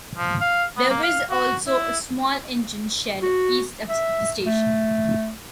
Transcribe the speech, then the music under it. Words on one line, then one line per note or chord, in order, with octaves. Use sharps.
There was also a small engine shed east of the station.
F3
F5
B3
A#3
F5
F#4
E4
F#4
E5
A3